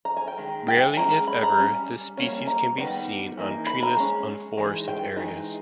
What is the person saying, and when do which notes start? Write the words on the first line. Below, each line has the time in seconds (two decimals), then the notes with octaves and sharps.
Rarely, if ever, this species can be seen on treeless, unforested areas.
0.05 A#5
0.17 G#5
0.28 G5
0.38 D#3 G#3
0.68 G5
0.83 G#5
0.97 E3 G#3 C#4 A#5
1.27 B5
1.43 A#5
1.57 G3 C#4
2.17 G3 A#3 C#4
2.33 G#5
2.47 A#5
2.78 D#3 G3 B3 D#4
3.37 E3 A#3 D#4
3.67 B5
3.83 A#5
3.97 G#3 C#4
4.57 E3 G#3 D#4
4.88 G5
5.17 E3 G#3 D#4